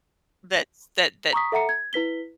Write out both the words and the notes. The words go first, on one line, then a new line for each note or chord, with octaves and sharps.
that's that that
A#5 C#6 D#6 B6
A4 E5 F#5 A#5 C#7
G#6
E4 B4 B6 G7